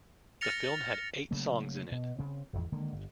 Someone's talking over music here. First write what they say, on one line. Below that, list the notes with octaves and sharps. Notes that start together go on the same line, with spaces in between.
The film had eight songs in it.
F6 A6 A#6 C#7 F7
C#3 F#3 A3 A#3
B2
C#3 C4
D#1 G#1 E2
D3 D#3 G#3 A#3
G1